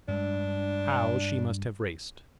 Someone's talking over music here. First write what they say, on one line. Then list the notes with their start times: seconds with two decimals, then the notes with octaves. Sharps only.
How she must have raced!
0.08 G2 G#3 D4